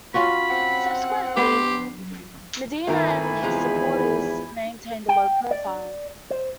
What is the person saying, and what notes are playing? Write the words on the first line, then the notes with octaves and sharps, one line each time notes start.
Subsequently Medina and his supporters maintained a low profile.
C#4 F4 F#4 B5
C4 F#5
B3 D4 G4 C6
G1 D#3 A3 E4 A#4 G#5 B5
E2 C3 F3 G#3
G5
D5
C5